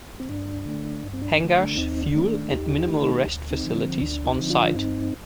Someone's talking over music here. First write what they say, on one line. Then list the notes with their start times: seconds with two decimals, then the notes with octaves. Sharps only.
Hangars, fuel, and minimal rest facilities on site.
0.20 C4
0.29 G2 D4
0.66 D3 A3
1.03 G2
1.13 C4
1.21 D4
1.40 D3 A3
1.59 D4
1.77 D#2 C4 D#4
2.02 D4
2.15 D#3 A3 C4
2.28 D4
2.51 D#2 D#4 G4
2.76 D#4 G4
2.89 D#3 A3
3.02 D#4 G4
3.25 D2
3.50 C4 D#4
3.64 D3 F3
3.76 C4
4.00 D2 D4
4.25 C4 D#4
4.38 D3 F3
4.50 D4 F4
4.75 G2 C4 D#4